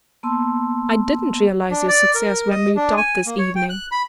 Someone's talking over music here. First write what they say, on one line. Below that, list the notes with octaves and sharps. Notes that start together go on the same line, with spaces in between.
I didn't realise your success when we talked this evening.
A#3 B3 A5 C6 E6
D4
D5
A#4
D#5
D4
G#5
A#3
C#5
G5
F#6
B5